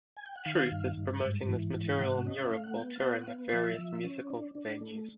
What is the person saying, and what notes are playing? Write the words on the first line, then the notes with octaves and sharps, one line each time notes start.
Truth is promoting this material in Europe while touring at various musical venues.
G#5
G5
F#5
D#3 F5
G2
G2
G#2
E3
G#2
G5
C3 F#5
C#4 D#5
E5
A3 F5
F#5
B3 G5
F5
B3 F#5
F#5
B3 F5
F3 E5
F3
C#4
D4
D4
A3